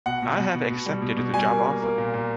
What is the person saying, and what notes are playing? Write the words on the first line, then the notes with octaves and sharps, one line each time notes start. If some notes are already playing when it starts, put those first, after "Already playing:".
I have accepted the job offer.
B2 F#5
B2
B2
B2
B2
G3
B2
B2
G3 G#5
A#3
A#3
A#3
A#2
A#2